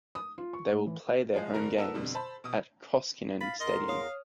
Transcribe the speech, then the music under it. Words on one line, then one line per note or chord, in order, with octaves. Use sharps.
They will play their home games at Koskinen Stadium.
D#6
F4
C#6
A2
E3
F3 G#3
G2 D3 A#4 A#5
B3 A4 A#4 F#5 E6 E7
F2 B2 D3 G3
C5 A5 B5
B2 D#6
F5 B5 A6
E2 A#4 D#5 C6
C#5 F5 D#6 F6